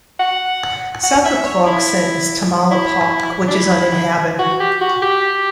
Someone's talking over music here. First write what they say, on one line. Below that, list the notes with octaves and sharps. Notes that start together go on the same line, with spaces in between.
South of Clarkson is Tamala Park, which is uninhabited.
F#5
F#5
E5
C#5
E4
E4
D4
E4
F#4
G4
F#4
G4